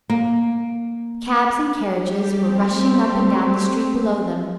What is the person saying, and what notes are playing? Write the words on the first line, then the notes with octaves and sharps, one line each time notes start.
Cabs and carriages were rushing up and down the street below them.
A#3
G3 G4
A3 C4